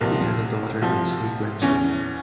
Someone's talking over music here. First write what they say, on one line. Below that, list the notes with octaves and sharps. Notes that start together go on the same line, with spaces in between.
He had a daughter and three grandchildren.
C2 C3 F3 A#3
C2 C3 F3
E2 E3 C#4